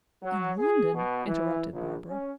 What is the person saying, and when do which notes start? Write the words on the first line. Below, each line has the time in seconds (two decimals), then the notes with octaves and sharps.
"In London!" interrupted Barbara.
0.23 F#3
0.58 G#4
0.94 B2
1.25 E3
1.71 A#1
2.08 C#4